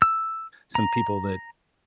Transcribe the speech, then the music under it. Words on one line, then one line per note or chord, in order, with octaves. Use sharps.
some people that
E6
A#5